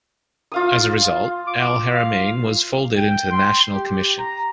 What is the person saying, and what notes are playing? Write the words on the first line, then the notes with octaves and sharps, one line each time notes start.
As a result, Al-Haramain was folded into the National Commission.
F4 F5 D#6
D6
F5
G5
C6
G4
A#5